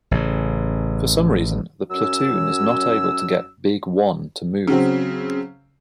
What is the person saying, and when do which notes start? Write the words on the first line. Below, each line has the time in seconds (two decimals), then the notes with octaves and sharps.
For some reason, the Platoon is not able to get Big One to move.
0.11 A1 C#3
1.91 F#2 F#3 C#4 E6
4.68 C#3 F#3 C4